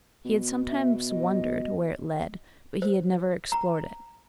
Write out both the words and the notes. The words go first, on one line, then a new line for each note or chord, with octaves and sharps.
He had sometimes wondered where it led but he had never explored it.
B2
E5
D#5
C5
A#5